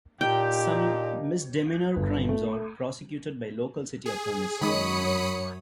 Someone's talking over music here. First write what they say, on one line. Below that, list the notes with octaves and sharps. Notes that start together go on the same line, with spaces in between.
Some misdemeanor crimes are prosecuted by local city attorneys.
A#2 A#3 D4 D#4 G4 G5
G1
A3
G#4
F#2 D#3 G#3 C#5 B5 D#6 C#7